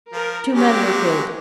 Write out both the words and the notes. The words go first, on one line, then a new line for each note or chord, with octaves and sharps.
Two men were killed.
F3 A#4
F#3 G#3 C#4 G4